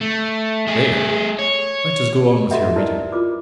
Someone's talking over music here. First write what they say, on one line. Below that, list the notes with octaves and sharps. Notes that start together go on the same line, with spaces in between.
There! let us go on with your reading.
A3
A3 G#4
C#5
F#4 G4 A4 D#5 E5 F#5
D#4 E4 A#4 B4 D5
F4 A#4 B4 D6